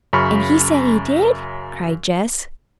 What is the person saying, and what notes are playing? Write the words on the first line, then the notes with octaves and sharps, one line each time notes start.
"And he said he did!" cried Jess.
F#2 C#3 B5 C#6 F6